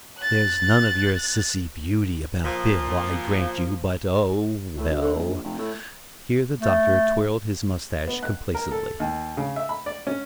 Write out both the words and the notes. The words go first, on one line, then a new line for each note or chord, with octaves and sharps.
"There's none of your sissy beauty about Bill, I grant you, but--oh, well"--here the Doctor twirled his mustache complacently.
F#6 A6
A#2 F3
A2
D2
D3
D#1
A#1
F1
A2
A3
B3
F#6
A#4
A4
D#2
C#3
E5
B5
D5
C#4